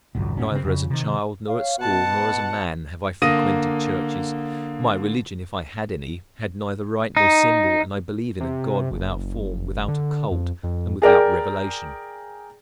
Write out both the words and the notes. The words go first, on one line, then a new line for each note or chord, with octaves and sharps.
Neither as a child, nor at school, nor as a man, have I frequented churches; my religion, if I had any, had neither rite nor symbol, and I believed in a God without form, without a cult, and without revelation.
D#1 G#1 C#2 F#2
F1 G#2 B2 C#4
C#3 C4
F2 C#3
C3 D#3
C#5 F5
B2 F#5 A5
D3 A#3 D#6 A#6 D#7
D#4
C3
F#1
D3
F2
F2
G#4 A#4 D5 G5